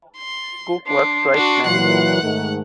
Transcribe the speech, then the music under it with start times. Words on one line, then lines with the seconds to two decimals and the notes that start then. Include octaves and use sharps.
Cook was twice married.
0.17 C6
0.87 D4 C6
1.34 D4 F#4
1.66 A#2 E3 F#3 F#5 F#6
2.23 G#2 D#3 A3